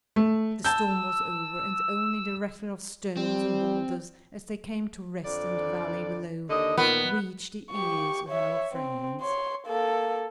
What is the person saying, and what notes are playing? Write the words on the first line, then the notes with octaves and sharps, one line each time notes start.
The storm was over, and only the rattle of stones and boulders, as they came to rest in the valley below, reached the ears of our friends.
A3
A5 E6 G6
G3 C4
F2 D3 D5
D#2 D3 D#5
A#2 D#3 B3
G4 C#6
C#5 E5
C4
C#5 C6
A#3 A4